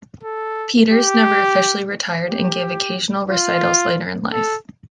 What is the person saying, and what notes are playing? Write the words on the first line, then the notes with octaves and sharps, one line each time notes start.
Peters never officially retired and gave occasional recitals later in life.
A4
G4
G4
F4
A4